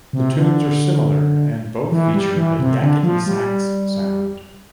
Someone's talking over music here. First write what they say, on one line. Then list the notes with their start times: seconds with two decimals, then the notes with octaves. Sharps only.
The tunes are similar, and both feature the "yakety sax" sound.
0.13 C3
0.36 D3
1.92 E3
2.14 G3
2.36 E3
2.59 C3
2.82 D3
3.03 F3
3.26 G3